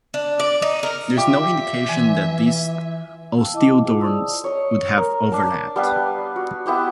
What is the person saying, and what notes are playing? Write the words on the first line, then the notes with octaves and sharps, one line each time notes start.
There is no indication that these osteoderms would have overlapped.
D4
D5
D#4
A#4
F4 G4 E5 D6
E3 G#5
F5 G5 A5 E6
E4 D#5 G5 A5 D6
E4 F4 G#4 C5 A5
D5 A5 D#6 E6
C#5 D#5
A#4
D4 A5
G3 B3 B4 F5
F#4
B3 E4 G4 D#5